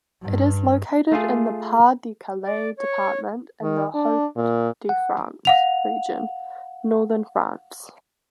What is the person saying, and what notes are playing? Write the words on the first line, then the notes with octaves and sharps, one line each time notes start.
It is located in the Pas-de-Calais department, in the Hauts-de-France region, northern France.
G2
A3 F4 G#4
D5
C#5
D#3
D4
A#2
F#5
F5 F#5 F7